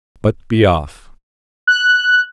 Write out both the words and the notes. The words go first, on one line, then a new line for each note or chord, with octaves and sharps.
But be off!
F#6